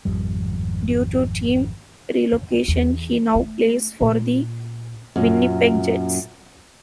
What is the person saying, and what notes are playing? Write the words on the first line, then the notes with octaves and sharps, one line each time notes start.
Due to team relocation he now plays for the Winnipeg Jets.
G#1 F2 G3
E2
A3
A#2
F#2 A#2